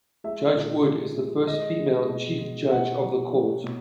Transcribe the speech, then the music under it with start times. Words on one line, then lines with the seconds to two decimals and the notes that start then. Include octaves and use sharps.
Judge Wood is the first female chief judge of the court.
0.24 G#3 E5
0.55 A#2
0.86 G#3
1.16 G#3
1.47 G#3 D#5
1.79 G#3
2.09 B2
2.40 G#3
2.71 B2 F#5
3.03 F#3
3.32 F#3
3.64 B2